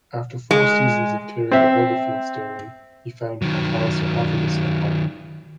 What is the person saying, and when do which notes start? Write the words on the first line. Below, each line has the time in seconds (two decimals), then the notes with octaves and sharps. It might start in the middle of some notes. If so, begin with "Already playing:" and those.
After four seasons of clearing the rubble-filled stairway, he found Pakal's sarcophagus and body.
0.51 G#3
1.51 C4 E5
3.42 D#3 F#3